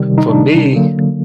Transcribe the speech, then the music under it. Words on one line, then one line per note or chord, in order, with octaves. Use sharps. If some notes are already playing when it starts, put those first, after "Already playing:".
for me
Already playing: C3 D#3 G3
D#4
D4
D3 F#3 A#3